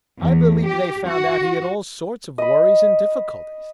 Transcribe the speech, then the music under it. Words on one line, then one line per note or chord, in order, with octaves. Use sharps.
"I believe they found out he had all sorts of worries and difficulties."
E2
G4
F#4
D#5 B5